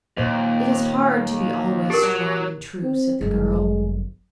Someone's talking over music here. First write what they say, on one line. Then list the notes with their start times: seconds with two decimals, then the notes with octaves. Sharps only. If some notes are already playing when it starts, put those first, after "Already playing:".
"It is hard to be always strong and true," said the girl.
0.17 D#2 A#2 C5 D#5
1.90 D4 G4 A#4
2.03 F#3
2.83 C4
3.21 G1 F#2 G#3